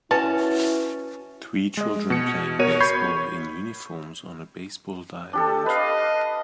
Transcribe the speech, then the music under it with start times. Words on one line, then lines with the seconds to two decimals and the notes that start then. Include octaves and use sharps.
Three children playing baseball in uniforms on a baseball diamond.
0.11 C#4 E4 F#4 B4 A5
1.77 G#3 D#5
2.10 B2 C#7
2.59 B2 F#4 A#4 C#5 D#7
2.80 B5 C#6 G6 G#6 C7
5.33 D4 G4 A4
5.66 B4 D#5 F5